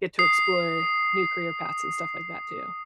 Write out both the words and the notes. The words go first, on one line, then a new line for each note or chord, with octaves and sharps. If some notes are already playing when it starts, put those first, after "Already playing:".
get to explore new career paths and stuff like that too.
D#6 C7